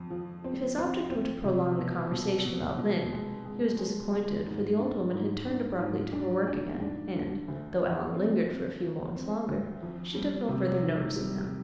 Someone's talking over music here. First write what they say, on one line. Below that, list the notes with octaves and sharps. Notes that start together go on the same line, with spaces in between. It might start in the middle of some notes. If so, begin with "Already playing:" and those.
If his object were to prolong the conversation about Lynde, he was disappointed, for the old woman had turned abruptly to her work again and, though Alan lingered for a few moments longer, she took no further notice of him.
Already playing: F2
F3
C4
C4
C4
C3
B2
B2
B2
B2
G#3
G#3
G#3
G#3
G#2
D4
G#2
D4
G#2
D4
D4
D4
D3
D2
F3
C4
C4
F3
C4
D2
F2
G3
C3
D#3
G3